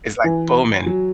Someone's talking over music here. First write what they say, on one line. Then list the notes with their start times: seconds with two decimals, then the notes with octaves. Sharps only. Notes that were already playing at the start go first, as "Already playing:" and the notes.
It's like booming.
0.24 E3
0.86 F#3